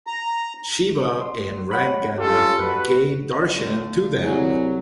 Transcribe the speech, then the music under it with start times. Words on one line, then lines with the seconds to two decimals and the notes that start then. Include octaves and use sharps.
Shiva and Ranganatha gave darshan to them.
0.07 A#5
1.21 C6
1.71 C#5 F#5 B5
2.18 C#4 F4 G4 A4
2.59 F#4 B4
3.56 D3 A3 F5
4.22 C2 F#3 G#4 G#5